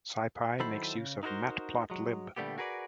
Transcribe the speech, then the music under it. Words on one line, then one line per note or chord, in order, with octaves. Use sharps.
SciPy makes use of matplotlib.
D#3 F#3 E4 A4 C5 B5
C#3
D#4 E4 F#4 A#4 C5
F#3 G#3
A#2 D3 G3 A3 B3 G4
F#4 G#4 A#4 B4 C#5 D5